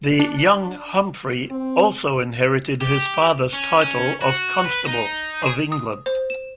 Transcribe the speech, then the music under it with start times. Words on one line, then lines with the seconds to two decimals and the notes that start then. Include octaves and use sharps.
The young Humphrey also inherited his father's title of Constable of England.
0.20 D4
1.50 C4
2.81 G4
3.53 C#4
4.21 F#4
4.65 B4
4.85 D#4
5.42 G#4
5.72 D#6
6.06 C5
6.30 E7